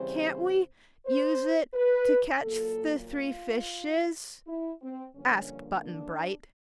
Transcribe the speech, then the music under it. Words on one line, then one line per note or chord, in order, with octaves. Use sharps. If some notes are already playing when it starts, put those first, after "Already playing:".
"Can't we use it to catch the three fishes?" asked Button Bright.
Already playing: C#3 E3 G3 C4 C5
C5
B4
A#2 F#3 A#3 A4
F4
E4
C4
G2 D3 F3 A#3 C#4
D4